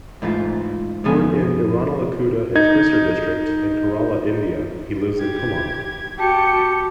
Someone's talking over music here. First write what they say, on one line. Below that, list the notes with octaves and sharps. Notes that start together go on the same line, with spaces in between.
Born in Irinalakuda in Thrissur district in Kerala, India, he lives in Kollam.
G#2 E3 A3 F4
F#2 F3 B3 G#5
D#4 G#6
G4 G#6
F#4 G4 A5 C#7